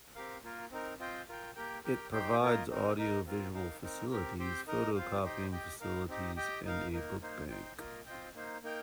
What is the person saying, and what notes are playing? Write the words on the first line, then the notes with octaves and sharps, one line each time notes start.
It provides audio visual facilities, photo copying facilities, and a book bank.
C4 G4 A#4 F5
A#3 F4 A#4
C4 D#4 A#4
C4 F4 C5 D#5 G5
F4 A#4 G5
A#3 G4 A#4 G5
G4 A#4 G5
D#4 G4 C5 G5
A#3 F4 A#4 D#5
C4 D#4 A#4
D#4 A#4 D#5
C4 F4 A#4
D#4 A#4 F5
C4 D#4 A#4
C4 G4 A#4
C4 G4 C5 G5
D#4 A#4 D#5
C4 F4 C5 F5
D#4 G4 C5 D#5 G5
G4 D#5 G5
D#4 A#4 F5
C4 D#4 G4 D#5
G4 D#5 G5
D#4 A#4 F5
A#3 D#4 A#4
A#3 D#4 C5
D#4 C5 G5
A#3 F4 A#4 D#5
C4 F4 C5 D#5 G5
A#3 D#4 C5
A#3 D#4 A#4 G5